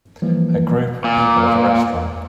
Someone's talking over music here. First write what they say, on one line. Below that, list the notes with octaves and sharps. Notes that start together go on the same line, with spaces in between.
A group of people at a restaurant.
E3 F3 G3 A#3
A#2